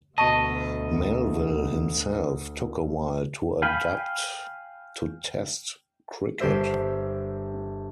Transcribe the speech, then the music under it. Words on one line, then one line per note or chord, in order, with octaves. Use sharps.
Melville himself took a while to adapt to Test cricket.
D2 B2 D#5 A5 C#6
F5 G5 G#5 B5
G1 G4 C5 E5